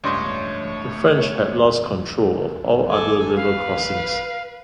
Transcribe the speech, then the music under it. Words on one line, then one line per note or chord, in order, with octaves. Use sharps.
The French had lost control of all other river crossings.
C#2 G2 A3 D4 C#5 D#5 C6
A4 G#5 D6
B4 F5